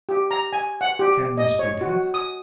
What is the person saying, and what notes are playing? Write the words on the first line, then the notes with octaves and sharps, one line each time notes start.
'Can this be death?
G4
A#5
G#5
F#5
G4
D#5
C#5
F#4
D#6